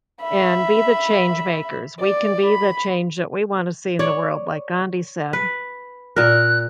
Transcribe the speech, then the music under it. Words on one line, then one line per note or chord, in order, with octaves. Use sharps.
and be the change makers. We can be the change that we want to see in the world, like Gandhi said.
E5 B5
D5
B5
C#5 D5
B4
A#2 A#4 F#6